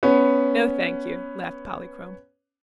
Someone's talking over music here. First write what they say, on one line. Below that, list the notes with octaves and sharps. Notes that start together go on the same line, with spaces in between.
"No, thank you," laughed Polychrome.
B3 C#4